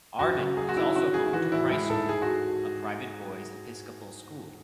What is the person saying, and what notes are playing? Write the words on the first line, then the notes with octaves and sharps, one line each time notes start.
Arden is also home to Christ School, a private boys Episcopal school.
F#2 F#4
C#3
F#3 G#4
F#4
D#3 E4
C#4 F#4
D#3 G#4
E3 F#4
A2 E4
G#3 E4
G#2 A4
G#2 G#4
F#4